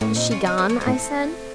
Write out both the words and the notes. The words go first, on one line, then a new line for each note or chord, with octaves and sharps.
'Is she gone?' I said.
A2 A#3 C#4
A#2 C4 D#4
C#4 F4
C4 D#4
A3 C4
F#3 A#3
A3 C4
A2